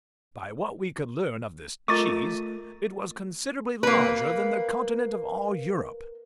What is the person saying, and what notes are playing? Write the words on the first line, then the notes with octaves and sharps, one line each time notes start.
By what we could learn of this CHEESE, it was considerably larger than the continent of all Europe!
A3 F4 A#4 D#5 C#6 D6 A6 D#7
A#3 B4